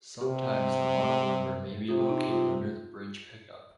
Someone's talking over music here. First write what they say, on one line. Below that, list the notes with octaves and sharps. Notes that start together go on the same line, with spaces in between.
Sometimes the model number may be located under the bridge pickup.
C3 G4
C3 F4
D#4
F4